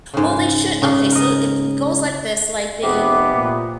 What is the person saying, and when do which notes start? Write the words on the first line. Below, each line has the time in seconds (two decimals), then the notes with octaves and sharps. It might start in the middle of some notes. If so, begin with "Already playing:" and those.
Well, they should okay, so it goes like this, like, they
0.14 G#2 C#3
0.82 C#3
1.12 A#4 D#5
2.83 F1 C3 B3 D6
3.35 A#2